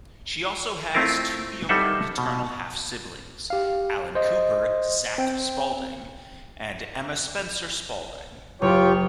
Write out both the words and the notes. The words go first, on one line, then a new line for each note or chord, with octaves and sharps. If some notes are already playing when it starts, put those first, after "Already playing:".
She also has two younger paternal half-siblings, Alan Cooper "Zach" Spaulding and Emma Spencer-Spaulding.
A3 C4 E4 F4 A#4
G3 D#4 A4 C5 E5 F#5
B2
G4 F5
C5 D#5
C4 G5
F#1 F4 G4 C#5 G5